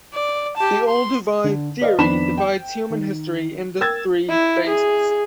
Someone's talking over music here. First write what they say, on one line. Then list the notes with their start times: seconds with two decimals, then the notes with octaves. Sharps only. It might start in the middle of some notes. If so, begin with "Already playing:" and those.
The Olduvai theory divides human history into three phases.
0.14 D5
0.57 G4 A5
0.88 C6
1.44 D3
1.81 B4 D5 D#5 F5
1.98 F2 D#3 B3 D4 B5 E7
2.38 G5
2.90 D#3
3.80 A#4 G5 E6 G#6 A6
4.29 E4
4.67 G#4